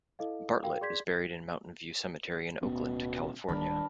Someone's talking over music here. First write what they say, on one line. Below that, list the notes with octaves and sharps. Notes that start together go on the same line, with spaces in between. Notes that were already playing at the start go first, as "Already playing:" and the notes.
Bartlett is buried in Mountain View Cemetery in Oakland, California.
E4 A4 D#5 F5
F#4 A#4 F5 G5
G#4 D5 C6 G6 G#6 B6
D1 B2 B3 C#4
D1 D#3 G3 D4 A#4 A5 B5